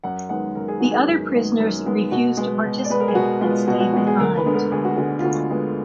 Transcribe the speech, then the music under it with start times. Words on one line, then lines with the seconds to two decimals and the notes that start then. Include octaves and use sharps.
The other prisoners refused to participate and stayed behind.
0.04 F#2 F#5
0.29 D#3 G#3 B3 F#5
0.55 F#2 A#4
0.68 G#4
0.80 D#3 G#3 B3 F#4
0.91 G#4
1.08 F#2
1.34 D#3 G#3 B3
1.60 F#2
1.86 D#3 G#3 B3
2.11 B2 F#4
2.37 G#3 B3
2.64 B2
2.84 D5
2.90 G#3 B3 B4
3.00 A#4
3.08 G#4
3.15 B2 F#4
3.41 G#3 B3 F4
3.67 B2 F#4
3.80 F#4
3.93 G#3 B3 F#4
4.07 G#4
4.19 D2 A#4
4.37 B4
4.46 D3 G#3 B3
4.54 A#4
4.72 D2 G#4
4.85 F#4
4.97 D3 G#3 B3 F#4
5.19 F4
5.23 D2 F#4
5.50 D3 G#3 B3